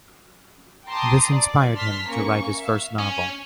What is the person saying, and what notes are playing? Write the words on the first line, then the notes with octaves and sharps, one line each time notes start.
This inspired him to write his first novel.
G5 A5 A#5 C6 D6 D#6
D5
A5 C6 F6 B6
A#3 C#4 A#5 C#6
E5 F5
C#4